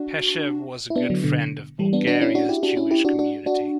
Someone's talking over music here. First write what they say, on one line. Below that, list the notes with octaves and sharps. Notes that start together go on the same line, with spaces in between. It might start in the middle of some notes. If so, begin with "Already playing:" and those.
Peshev was a good friend of Bulgaria's Jewish community.
Already playing: D4 F#4
E4
B3 D4
D3 F#3
B2 D3
E3 G3
B3 D4
D4 F#4
C#4 E4
D4 F#4
E4 G4
D4 F#4
C#4 E4
E4 G4
D4 F#4
D4 F#4
D4 F#4